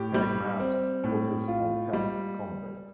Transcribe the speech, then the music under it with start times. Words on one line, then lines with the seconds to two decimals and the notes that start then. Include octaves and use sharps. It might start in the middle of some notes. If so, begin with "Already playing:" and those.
Tank maps focus on tank combat.
Already playing: A2 G4
0.14 G3
0.60 C4
1.04 A2
1.48 F4
1.93 G3